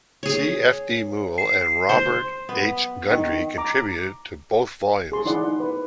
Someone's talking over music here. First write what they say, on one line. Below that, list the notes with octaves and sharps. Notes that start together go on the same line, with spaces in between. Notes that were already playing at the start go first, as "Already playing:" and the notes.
C. F. D. Moule and Robert H. Gundry contributed to both volumes.
G#4 C#5
C7
C5
B3
D#3
A#5 D6
G#4 C6
D#4 E4 D5 F#5
B4